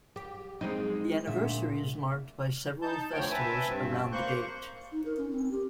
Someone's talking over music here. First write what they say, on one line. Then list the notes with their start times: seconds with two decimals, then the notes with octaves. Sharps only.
The anniversary is marked by several festivals around the date.
0.16 G4
0.61 G#3 C4 D#4
1.27 D2 A#2 E5
2.82 D#4 A5 G6
3.13 D2 D3 F3 C#5 G5
3.31 B4 E5 G#5 A5
3.66 G2 C4
4.12 A#3 C5 C#6 F#6 G6
4.92 D#4
5.06 A#4
5.18 C#4
5.31 C4
5.51 G4